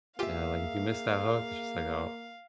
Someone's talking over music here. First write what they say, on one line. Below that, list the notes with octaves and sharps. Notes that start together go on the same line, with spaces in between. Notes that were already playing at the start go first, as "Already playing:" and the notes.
Yeah, like, if you miss that hook, it's just like, "Oh,
A#3 F4 G4 G#4 E5 F5